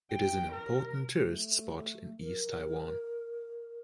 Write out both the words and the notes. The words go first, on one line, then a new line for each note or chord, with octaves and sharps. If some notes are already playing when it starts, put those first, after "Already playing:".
It is an important tourist spot in East Taiwan.
G5
A#4
A3
A#4